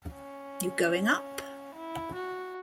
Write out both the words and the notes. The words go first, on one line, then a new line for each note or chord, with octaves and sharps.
You going up?
C#4
E4
F#4